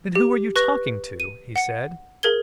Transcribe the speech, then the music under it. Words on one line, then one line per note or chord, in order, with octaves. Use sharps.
"Then who are you talking to?" he said.
G4
B4 C#6 F#6 A#6
D#7
F#5 C#7
G#4 A#4 G#6 G7